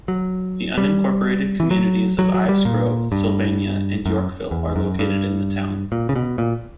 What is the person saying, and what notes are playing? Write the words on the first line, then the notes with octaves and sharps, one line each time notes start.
The unincorporated communities of Ives Grove, Sylvania, and Yorkville are located in the town.
F#3
G3
E3
F#3
F#3
F#3
G3
A#2
G2
F#2
E2
F#2
G2
A#2
C#3
B2
A#2